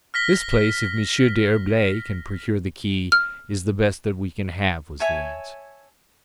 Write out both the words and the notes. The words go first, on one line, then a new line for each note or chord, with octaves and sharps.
"This place, if Monsieur d'Herblay can procure the key, is the best that we can have," was the answer.
F6 A#6 B6 G7
F6
C#5 E5 G#5 A5